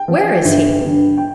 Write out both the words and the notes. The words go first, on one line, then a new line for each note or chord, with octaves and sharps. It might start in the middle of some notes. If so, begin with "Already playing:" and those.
"Where is he?"
Already playing: G5
F3
G1
G2 D3
G5